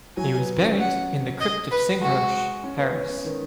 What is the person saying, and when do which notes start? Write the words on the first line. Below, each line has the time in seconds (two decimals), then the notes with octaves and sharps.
He was buried in the crypt of Saint-Roch, Paris.
0.17 F#3 G#5
0.37 B3
0.58 C#4
0.79 F#5
1.41 D#5
1.71 B4
2.01 G#3 F#4
2.64 C#4
2.78 B3
2.94 C#4
3.09 B3
3.24 D#3